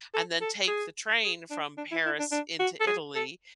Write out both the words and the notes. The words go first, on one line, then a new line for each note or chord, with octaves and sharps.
and then take the train from Paris into Italy,
A4
A4
G#4
G#4
D4
D4
E4
E4
D4
D4
F#4
A4
G#4
A4